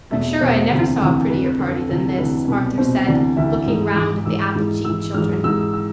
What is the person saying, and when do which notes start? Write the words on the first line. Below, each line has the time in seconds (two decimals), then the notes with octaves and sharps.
"I'm sure I never saw a prettier party than this," Arthur said, looking round at the apple-cheeked children.
0.11 E2 B2 E5
0.41 E2 B2 C5
0.70 D2 C3 E3
1.00 D2 C3 E3
1.29 F2 D3 B4
1.44 B4
1.59 F2 D3 A4
1.89 D2 C3 E3 A4
2.09 A4
2.18 D2 C3 E3 B4
2.48 C2 B2 B4
2.77 C2 B2 C5
3.07 D2 C3 E3 D5
3.37 D2 C3 E3 E5
3.66 G#2 E3
3.96 G#2 E3 D6
4.25 G#2 E3 E6
4.55 G#2 E3
4.85 G#2 E3 E6
5.14 G#2 E3 F6
5.44 G#2 E3 E6
5.73 E6